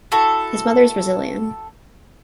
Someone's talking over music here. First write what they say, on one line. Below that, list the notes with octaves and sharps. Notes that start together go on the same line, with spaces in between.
His mother is Brazilian.
E4 F#4 A4